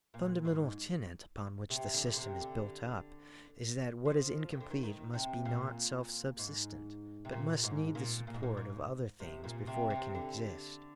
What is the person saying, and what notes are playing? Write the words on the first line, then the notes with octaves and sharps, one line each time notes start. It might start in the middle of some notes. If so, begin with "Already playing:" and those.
The fundamental tenet upon which the system is built up is that what is incomplete must be not self-subsistent, but must need the support of other things before it can exist.
A#2
G#2
C3
D3
D3
C3
D3
F3
D#3
D3
D#3
D#3
C3
A#2
G#2
C3
A#2
G#2
A#2
A#2
G#2
A#2
G#2
C3
A#2
C3
C3
D3